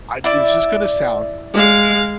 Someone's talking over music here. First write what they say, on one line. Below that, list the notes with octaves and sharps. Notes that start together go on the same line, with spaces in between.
I this is gonna sound,
E4 D5 E5
G#3 F5